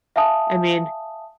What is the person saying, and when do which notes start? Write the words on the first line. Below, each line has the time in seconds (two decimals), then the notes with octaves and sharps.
I mean
0.16 E5 F5 G#5 A5 D#6